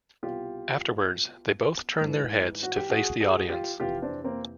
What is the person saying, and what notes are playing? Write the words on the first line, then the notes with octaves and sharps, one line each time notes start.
Afterwards, they both turn their heads to face the audience.
C2 B2 F4 G4
G#2 E3
F#4
G4
F#4 G#4
F#4 G#4
F4 G4
F2 C3 E3 F4 G4
C4 D4
A#3 C4